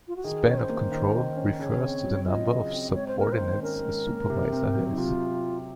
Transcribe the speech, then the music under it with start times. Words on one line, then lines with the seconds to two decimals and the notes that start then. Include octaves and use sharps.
Span of control refers to the number of subordinates a supervisor has.
0.08 F4
0.16 F#4
0.24 D#3 G#4
0.47 C#4 C#5
0.57 C5
0.69 A#3
0.92 D#3
1.14 D#3
1.37 C#4
1.59 C#3 C#5
1.82 C4
2.05 F#3
2.27 F4 D#5
2.50 C#3
2.72 C4
2.95 G#2 C#5
3.07 C5
3.17 A#3 A#4
3.32 C5
3.40 D#3
3.62 C#4 A#4
3.85 G#2
4.07 A#3
4.30 C3
4.52 C4
4.75 F#3
4.90 D#4
4.98 C3 F4